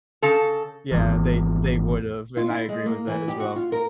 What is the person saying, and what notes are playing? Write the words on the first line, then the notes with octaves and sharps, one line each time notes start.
yeah. They they would have, and I agree with that as well.
C#3 A4
G#1 E2
F4
E4
G#3
A#3
E3
G4
F#4
F4
A#4